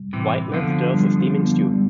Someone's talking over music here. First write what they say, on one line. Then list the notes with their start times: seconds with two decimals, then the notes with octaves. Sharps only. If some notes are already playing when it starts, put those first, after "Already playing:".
Whiteman stirs the steaming stew.
Already playing: G3
0.13 A2 C3 E3
0.53 D3 F3 B3
0.94 G3
1.34 B3
1.74 G3